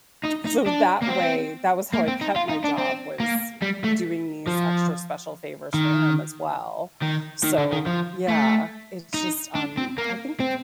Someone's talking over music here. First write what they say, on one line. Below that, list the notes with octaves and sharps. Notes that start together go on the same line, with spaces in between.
so that way that was how I kept my job, was doing these extra special favors for him as well. So, yeah, it's just, um, I think it's
D#4
D#4
D4
A#3
C4
A#3
C4
D#4
F4
D#4
D4
C4
A#3
G3
A3
F3
D#3
D#3
D#3
D3
D#3
F3
A3
D#4
D4
C4
A#3
C4